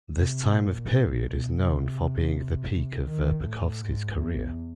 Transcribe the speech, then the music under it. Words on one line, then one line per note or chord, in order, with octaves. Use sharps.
This time of period is known for being the peak of Verpakovskis's career.
C3
A#2
B2
C3
C3
D#3
A2
G#2
E2